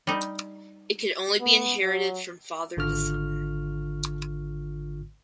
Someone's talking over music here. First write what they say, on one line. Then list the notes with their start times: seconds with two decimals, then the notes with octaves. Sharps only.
It could only be inherited from father to son.
0.07 G3 D#4
1.40 B3
1.83 F#3
2.77 G#1 D3 F4 C#6 F6